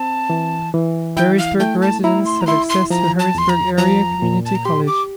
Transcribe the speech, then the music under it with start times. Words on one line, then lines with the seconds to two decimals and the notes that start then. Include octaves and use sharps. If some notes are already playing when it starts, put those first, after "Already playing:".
Berrysburg residents have access to Harrisburg Area Community College.
Already playing: C4 A5
0.30 E3
0.74 E3
1.17 E4 G5
1.38 F5
1.60 A3 G5
1.82 A5
2.04 E4 A#5
2.26 C6
2.41 A#5
2.47 E4 C6
2.69 C6
2.90 F3 A#5
3.20 A5
3.35 E2 C6
3.49 A#5
3.78 F3 A#5
4.22 A#2
4.46 A5
4.55 A#5
4.65 G4 C6
4.87 D6